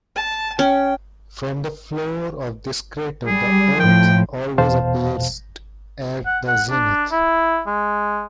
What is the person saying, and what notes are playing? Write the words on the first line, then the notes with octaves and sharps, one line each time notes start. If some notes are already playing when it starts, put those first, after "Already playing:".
From the floor of this crater the Earth always appears at the zenith.
A5
C#4 G5
G3 G#4
A2 F3 G5
E2 B2 C5 F5 A5
F#5
F#5
D4
E4
G#3